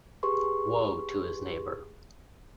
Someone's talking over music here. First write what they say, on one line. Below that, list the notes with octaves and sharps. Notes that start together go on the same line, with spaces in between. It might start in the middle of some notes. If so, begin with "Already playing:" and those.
Woe to his neighbor!
G4 G#4 B4 C6 C#6